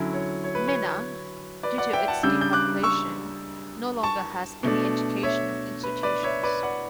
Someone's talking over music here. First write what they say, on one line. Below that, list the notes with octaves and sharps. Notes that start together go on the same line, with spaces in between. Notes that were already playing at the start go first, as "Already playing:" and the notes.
Minna, due to its depopulation, no longer has any educational institutions.
Already playing: D3 F#3 C#4 E4
C#5
C#5
B4
C#5
B4 D5
D5 F#5
E5 G5
F#5 A5
C#3 G3 D4 E6 G6
G6
D6 F#6
C#6 E6
A5 C#6
B2 A3 D4
C#5 E5
B4
B4 D5
C#5 E5
B4 D5
D5 F#5